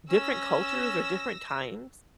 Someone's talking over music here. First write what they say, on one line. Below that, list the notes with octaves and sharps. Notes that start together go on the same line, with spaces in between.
different cultures, or different times
C#4 E6 A#6